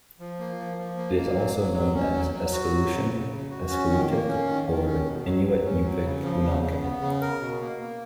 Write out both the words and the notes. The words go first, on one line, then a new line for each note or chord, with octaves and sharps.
It is also known as "Eskaleutian", "Eskaleutic", or "Inuit-Yupik-Unangan".
F3
A#3
F3
F3
A#3
A#3
F#3
F#3
F#3
C#4
F#3
F#3
F#4
F#3
C#3
C#3
C#3
F#4
C#4
D#3
A#3
C#4
D#3
D#3
C#4
B2
F#3
F#3
C#4
F#3
C#3
F3
C#3
C#3
B3
C#3
A#4
B2
A#3
A#3